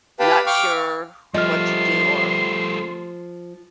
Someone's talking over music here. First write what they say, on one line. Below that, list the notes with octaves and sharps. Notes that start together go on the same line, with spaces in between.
not sure what to do, or
G4 B4 F5 G5 A5 B5
F5 G5 C#6 D6 F6
F3 G3 A3 D#5 C6 F6